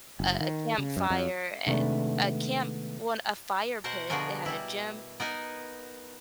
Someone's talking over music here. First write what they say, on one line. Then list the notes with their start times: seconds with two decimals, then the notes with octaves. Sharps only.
a campfire and a camp well, a fire pit. They had a gym,
0.20 F#1
0.41 D#3
0.78 C#3
0.97 F#2
1.10 F2
1.67 C3 D#3 G#3 A3 B3 D4
3.84 B2 A#4 C5 F#5
4.10 B2 D3 F3 F#4 G#4 A#4
4.46 G3 E4
5.20 B3 D#4 A#4 G#5